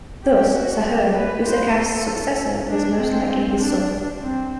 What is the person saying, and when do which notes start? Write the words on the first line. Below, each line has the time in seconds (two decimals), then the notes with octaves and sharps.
Thus, Sahure, Userkaf's successor was most likely his son.
0.23 G4
0.54 F#4
0.85 G4
1.15 B4
1.46 C5
1.76 A4
2.68 D4
2.99 C4
3.60 D4
4.21 C4